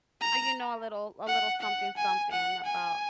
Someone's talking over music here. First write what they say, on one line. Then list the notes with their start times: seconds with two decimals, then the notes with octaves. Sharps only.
So, you know, a little a little something something about
0.21 A#5
1.27 F#5
1.61 F#5
1.97 G#5
2.32 F#5
2.66 G#5